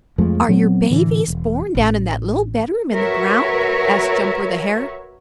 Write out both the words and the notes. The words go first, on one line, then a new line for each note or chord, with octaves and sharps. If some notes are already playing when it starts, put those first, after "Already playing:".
"Are your babies born down in that little bedroom in the ground?" asked Jumper the Hare.
F2 F3 G#3 A3
A#2 F#3 B3 C4
A2 D3 E3
E1
A1
F#4 A#4 B4 C#5 E5